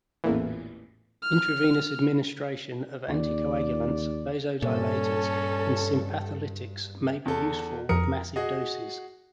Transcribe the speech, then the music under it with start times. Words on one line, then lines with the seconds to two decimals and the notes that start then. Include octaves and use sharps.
Intravenous administration of anticoagulants, vasodilators, and sympatholytics may be useful with massive doses.
0.24 A1 E2 A#2 E3
1.22 F6
3.09 D#2 D5
4.62 G2 A#2 G3 C#4 A4
7.25 E2 A4
7.89 F2 F3 A#4 D#6 C#7
8.36 F#4 G#4 D#5